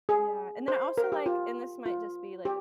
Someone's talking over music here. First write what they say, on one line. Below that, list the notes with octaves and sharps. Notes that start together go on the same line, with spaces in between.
Yeah. And then I also, like, and this might just be, like,
G#4
C5
A#4
G4
F4
F4
G4